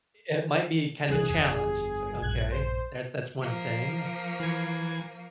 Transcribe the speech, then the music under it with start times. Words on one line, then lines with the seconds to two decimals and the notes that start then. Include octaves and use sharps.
eh, it might be kind of a challenge, it's like, "Okay, that that's one thing,"
1.09 C2 C3 E3 D4 G#4 F#6
1.29 G1 F2 G#4
2.22 A#1 G2 F#6 G#6
2.51 C5
3.41 F3 A#3
4.40 E3 G#6